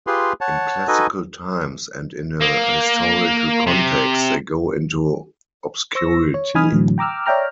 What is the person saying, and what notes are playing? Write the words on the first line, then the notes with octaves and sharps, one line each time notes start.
In classical times and in a historical context they go into obscurity.
F4 G4 G#4 B4 C6
C#5 F#5 A5
D#4 F#4 A4 B4 D#5 G#5
A#3
C3
C5 C#6 E6 A#6
C#5
E3 D#4 G#5 B5 D#6 F6
A2 D3 E3 F#3
G5 A#5 D6 E6 F6
C#5 D5 E5 G5 A#5 F6